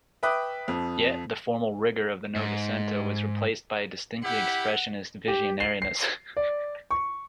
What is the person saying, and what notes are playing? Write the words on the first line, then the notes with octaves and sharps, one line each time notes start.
Yet, the formal rigour of the Novecento was replaced by a distinctly expressionist visionariness.
B4 E5 G5 D6 D#6 F#6
F2 F3
G#2
E4 G4 F#5 B5
G4
C7
C7
D5
C#6